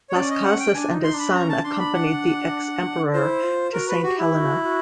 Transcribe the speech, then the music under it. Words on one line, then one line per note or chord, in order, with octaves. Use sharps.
Las Cases and his son accompanied the ex-emperor to Saint Helena.
C#5
C#4 D5
D#5
F#5
G5
D4 G#5
D#4
C6
D4
B5
C#4 A#5
A5
D4 C6
B5
F#5
E4 F4 C5
F4
F#4 A#4
B4
F#4 G4
E4
G4
F#4
F#4